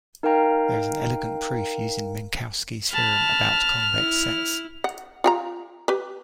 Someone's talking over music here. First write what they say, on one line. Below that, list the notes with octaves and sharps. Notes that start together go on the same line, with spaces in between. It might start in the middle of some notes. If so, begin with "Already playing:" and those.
There is an elegant proof using Minkowski's theorem about convex sets.
D#4 A#4 F5 G5 A#5
A5 B5 F6
E4
F#5
F4 G5 A#5
G4 B4